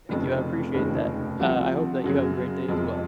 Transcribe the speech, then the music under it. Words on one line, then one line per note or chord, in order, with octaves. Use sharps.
Thank you, I appreciate that. Uh, I hope that you have a great day as well.
F1 F2 C#3
F1 D#2 C#3 G#3
C2 C3 F3 C4 F#4
F#2 C#3 F#3 C#4 G#4
F2 C3 F3 G#3